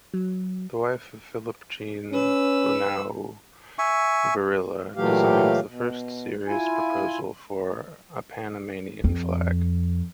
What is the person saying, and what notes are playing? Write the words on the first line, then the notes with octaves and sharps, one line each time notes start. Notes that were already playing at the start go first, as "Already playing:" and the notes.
The wife of Philippe-Jean Bunau-Varilla designed the first serious proposal for a Panamanian flag.
F#3
C#4 B4 E6
E5 G#5 C#6
A#2 E3 F#3 A3 G4 F5
B2
E4 F4 G#5
F2